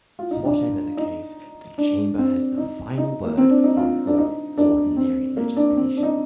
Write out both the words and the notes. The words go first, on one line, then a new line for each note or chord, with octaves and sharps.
Whatever the case, the Chamber has the final word on all "ordinary legislation".
F4
D#4
D4
D#4
D4
C4
D#4
D#4
A#3
C4
D4
D#4
F4
D4
D#4
D4
C4
A#3
D4
C4
D4
D#4